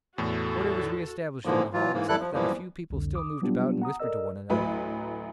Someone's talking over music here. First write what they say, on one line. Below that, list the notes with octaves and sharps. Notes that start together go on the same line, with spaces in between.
Order was re-established in the hall, except that a few people still moved about and whispered to one another.
E2 A2 F#4 A4
G#2 D3 E3 F3 A#3
E3 F#3 F4
G#2 E3 A#3
F#2 G3 E4 A4 F#6
F3
F#2 E3 F3 G3 A#3
C2 F2 D3
D6 D#6
F#3 G3 B3 D4 F4 G4
F#5 A#5 D#6
A4 A#4 D5 D#5 E6
A1 D2 F#3 B4 B5